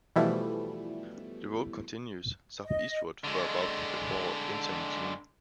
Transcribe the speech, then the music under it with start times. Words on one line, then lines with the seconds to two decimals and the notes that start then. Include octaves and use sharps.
The road continues southeastward for about before entering Jean.
0.16 B2 E3 F3 G3 A3 E4
2.65 D#5
3.24 D3 G#3